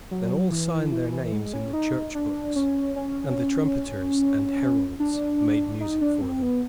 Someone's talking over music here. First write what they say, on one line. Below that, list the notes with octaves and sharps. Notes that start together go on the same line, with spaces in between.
Then all signed their names in the church books, and the trumpeters and heralds made music for them.
F#3
E3
E3
E3
G#3
C#4
D#4
D4
C#4
C#4
D4
D#4
D4
C4
B3